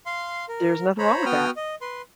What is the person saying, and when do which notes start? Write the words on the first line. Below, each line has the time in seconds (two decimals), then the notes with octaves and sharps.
There's nothing wrong with that.
0.06 F5 C6
0.49 A#4
0.98 C5 C#5 A#5 B5
1.26 B3 F#4 G5 D#6 F6
1.56 D#5
1.81 B4 C6